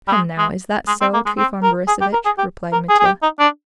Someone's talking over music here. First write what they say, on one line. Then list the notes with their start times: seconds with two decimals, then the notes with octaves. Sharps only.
"Come now, is that so, Trifon Borissovitch?" replied Mitya.
0.08 G3
0.12 G#3
0.38 G#3
0.88 G#3
1.01 C4
1.14 A#3
1.26 G#3
1.38 C4
1.63 A#4
1.88 G#4
2.01 G4
2.13 A#4
2.26 G#4
2.38 G4
2.73 A#4
2.89 G#4
2.99 G#4
3.06 G4
3.23 D#4
3.40 D4